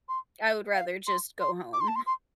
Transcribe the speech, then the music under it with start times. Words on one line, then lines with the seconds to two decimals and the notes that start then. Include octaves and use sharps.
I would rather just go home.
0.09 C6
0.74 F5
1.07 C6
1.40 C6
1.73 D6
1.81 C6
1.88 A5
1.96 C6
2.06 C6